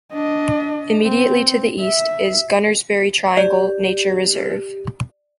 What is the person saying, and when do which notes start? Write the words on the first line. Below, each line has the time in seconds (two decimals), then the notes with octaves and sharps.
Immediately to the east is Gunnersbury Triangle nature reserve.
0.14 D4 D#5
1.02 C4
1.80 E5
3.37 G4 D5